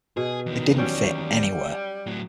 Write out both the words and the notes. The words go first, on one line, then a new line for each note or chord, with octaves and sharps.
I didn't fit anywhere.
B2 G#4
E2 D#3
F#3 G3 C#4 D5
A2 F#3